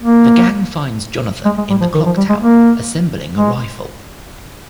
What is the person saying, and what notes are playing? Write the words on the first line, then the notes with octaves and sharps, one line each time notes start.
The gang finds Jonathan in the clock tower, assembling a rifle.
A#3
G#3
G#3
G3
F3
D#3
F3
G3
G#3
A#3
G#3